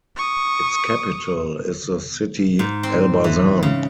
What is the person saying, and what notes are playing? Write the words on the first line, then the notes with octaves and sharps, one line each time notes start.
Its capital is the city Elbasan.
C#6 D#6
G#2
C4
E3
C#3